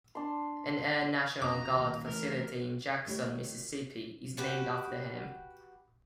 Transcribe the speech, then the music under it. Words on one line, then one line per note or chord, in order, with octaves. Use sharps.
An Air National Guard facility in Jackson, Mississippi is named after him.
D4 C6
F1 C#3 A#5 D6
D#2 A#2
E3 A3 A#4
D#3 A3 E4 G4 C#5
F#4 G4 B4